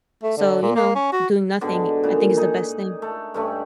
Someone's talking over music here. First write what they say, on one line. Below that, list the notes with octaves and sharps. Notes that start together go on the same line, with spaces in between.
So, you know, doing nothing I think is the best thing.
A3
D3
A#2
A#3
C#4
F#4
G#2 B2 D3 D5
A#2 C#3
D#4 G#4
A3
G2 A3 C#4